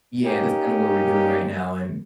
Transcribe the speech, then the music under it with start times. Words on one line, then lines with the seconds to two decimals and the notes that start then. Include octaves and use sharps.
Yeah, that's kinda what we're doing right now, and
0.25 A#3 C#4 D#4 G4